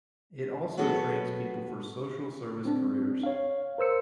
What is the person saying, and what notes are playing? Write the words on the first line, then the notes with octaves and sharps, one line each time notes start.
It also trains people for social service careers.
F#3 B3 C#4 F#4 G#4 A4
C4 D4
C#5 F5
A#4 C5 E6 C#7